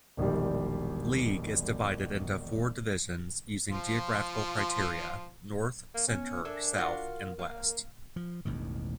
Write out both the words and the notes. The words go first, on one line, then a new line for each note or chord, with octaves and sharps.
League is divided into four divisions using geographical criteria: North, Center, South and West.
E1 A#1 D#3 G3
F3 F4
A#3
B3 C#4
D4 A4 A#4 E5 G#5
F4 F#4 F5
A#3 F5
F3
E1 A1 E2 D#3